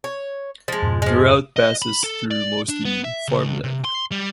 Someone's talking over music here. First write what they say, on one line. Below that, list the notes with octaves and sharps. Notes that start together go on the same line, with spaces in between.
The route passes through mostly farmland.
C#5
F3 G#3
F2 G#2 B2
F3 G#3
D#5
B5
A4
D5
D4
B3
E5
C#2
C3
C6
G3